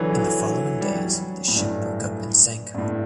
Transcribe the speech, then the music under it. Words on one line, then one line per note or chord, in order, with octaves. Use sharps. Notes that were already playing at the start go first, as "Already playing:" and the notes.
In the following days the ship broke up and sank.
Already playing: D3 E3 F#3
F#3
G3
F#3
A2
G2
G2
A2